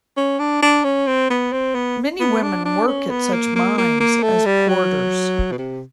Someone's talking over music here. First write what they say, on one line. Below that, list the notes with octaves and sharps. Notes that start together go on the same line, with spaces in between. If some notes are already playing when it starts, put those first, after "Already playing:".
Many women work at such mines as porters.
C#4
D4
D4
C#4
C4
B3
C4
B3
B3
D4
D4
C#4
B3
A#3
A#3
A#3
A#3
A3
G3
F#3
B2
C3